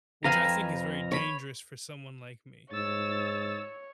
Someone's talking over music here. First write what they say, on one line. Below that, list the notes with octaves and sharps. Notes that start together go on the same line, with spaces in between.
which I think is very dangerous for someone like me
F2 B4 F5 G#5 A#5
C#5 B5
G#2 C#5 E6 A6